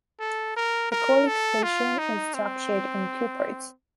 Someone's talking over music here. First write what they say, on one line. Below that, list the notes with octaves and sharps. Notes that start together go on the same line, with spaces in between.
The qualification is structured in two parts.
A4
A#4
A#4
A4
F4
D#4
C4